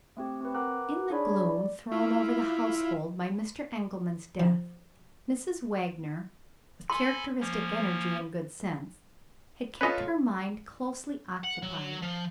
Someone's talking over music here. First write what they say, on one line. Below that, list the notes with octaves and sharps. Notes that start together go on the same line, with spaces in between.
In the gloom thrown over the household by Mr. Engelman's death, Mrs. Wagner, with characteristic energy and good sense, had kept her mind closely occupied.
A3 C4 G4
C4 B4
A#4 B4 F#5 A#5 D6 F#6
D4 D#4 G#4 C#5 D5 B5
D5
E4 F4
F3
A4 G#5 B5 C6
F3 A#3 C#4
F4 A4 B4 C#5 D#5
F#5
F#3
F3